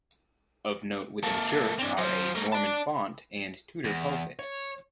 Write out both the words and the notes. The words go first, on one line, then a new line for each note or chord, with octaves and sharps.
Of note within the church are a Norman font and Tudor pulpit.
A#3 A4
C4 D4
F#3 C5
A3 A#4
D5 A5
E2
C#5